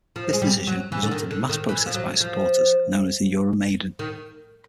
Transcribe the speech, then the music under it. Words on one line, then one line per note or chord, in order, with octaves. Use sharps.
This decision resulted in mass protests by its supporters, known as the "Euromaidan".
F3
G#3
G3
F#3
E3
D3
D#3
D3
D#3
E3
F3
F#3
F3
D#3